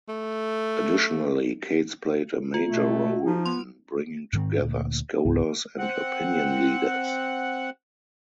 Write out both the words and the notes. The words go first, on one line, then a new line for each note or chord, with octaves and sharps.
Additionally, Kates played a major role in bringing together scholars and opinion leaders.
A3
F4
B2 A3
F3 D#4
B3 C6
G#2 D#3 C4
D2 A#2
C#2 G#2
C4 F#5